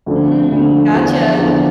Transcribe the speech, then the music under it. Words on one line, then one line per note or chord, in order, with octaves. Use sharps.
Mm, gotcha.
D2 D3 F3 A3 D4
D2 D3 F3 A3 D4
E2 D3 F3
E2 D3 F3